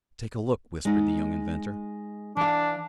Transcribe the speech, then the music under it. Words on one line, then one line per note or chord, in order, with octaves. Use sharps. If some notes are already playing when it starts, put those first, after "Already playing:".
"Take a look," whispered the young inventor.
G#3 D#4
E3 D4 F5